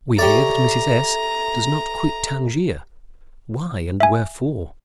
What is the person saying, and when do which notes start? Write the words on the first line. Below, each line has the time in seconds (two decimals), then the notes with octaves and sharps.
We hear that Mrs. S. does not quit Tangier: why and wherefore?
0.18 G4 A4 C#5 D5 E5 A#5
4.00 E5 G#5